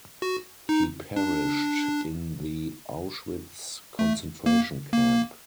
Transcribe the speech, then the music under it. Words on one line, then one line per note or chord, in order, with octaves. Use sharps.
He perished in the Auschwitz concentration camp.
F#4
D#4
D4
A3
A#3
A#3